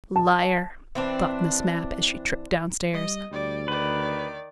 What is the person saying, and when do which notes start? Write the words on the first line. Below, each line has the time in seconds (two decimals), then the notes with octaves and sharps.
"Liar," thought Miss Mapp, as she tripped downstairs.
0.16 A5
0.95 E3 C4 D4
2.94 G3 D#5
3.31 D2 G3 D5
3.68 D#3 B4 D5